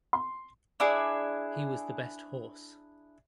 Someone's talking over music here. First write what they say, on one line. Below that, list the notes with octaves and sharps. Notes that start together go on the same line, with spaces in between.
He was the best horse.
C6
D4 E4 G#4